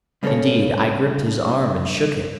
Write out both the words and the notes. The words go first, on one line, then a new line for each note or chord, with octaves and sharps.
Indeed I gripped his arm and shook him.
G2 C#3 A#3 F4 A4 C#5